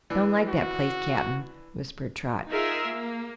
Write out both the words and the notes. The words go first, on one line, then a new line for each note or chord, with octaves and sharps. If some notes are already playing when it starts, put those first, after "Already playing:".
"Don't like that place, Cap'n," whispered Trot.
E3 D4
F#4
D#4 F4 G#4 A#4 E5
A#3